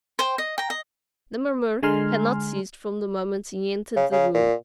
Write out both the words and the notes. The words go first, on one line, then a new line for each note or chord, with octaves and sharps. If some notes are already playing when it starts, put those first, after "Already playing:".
The murmur had not ceased from the moment he entered the room.
C5 G5
D#5
G5 A#5
D#5
D3 G#3 G#5 A#5 C6 F6
C#3
C#3
A#2